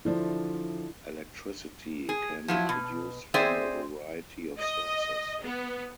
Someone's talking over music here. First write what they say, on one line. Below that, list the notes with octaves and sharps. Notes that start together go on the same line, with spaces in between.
Electricity can be produced from a variety of sources.
D3 F3 D4 E4
G#4
F3 F#3 E4
B2
C4 G#4 C5 D5 E5
D#5
B3